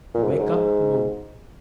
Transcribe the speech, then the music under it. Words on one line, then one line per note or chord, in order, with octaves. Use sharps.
Wake Up Boo!
A#2
G#2
F#2
G#2